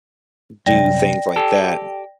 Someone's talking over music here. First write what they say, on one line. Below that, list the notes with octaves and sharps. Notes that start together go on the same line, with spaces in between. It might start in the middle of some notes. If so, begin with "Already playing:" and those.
do things like that,
C2 F#2 D5 G5 A#6
G4 A4